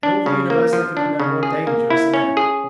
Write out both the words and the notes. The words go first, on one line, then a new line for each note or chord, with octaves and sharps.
In all the universe there could be no more dangerous an enemy.
D4
C#3
A#3
F3
D4
C#3
G#4
A#3
E4
C#4
G#4